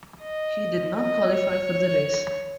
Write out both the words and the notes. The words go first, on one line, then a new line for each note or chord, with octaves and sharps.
He did not qualify for the race.
D#5
D#5
C#5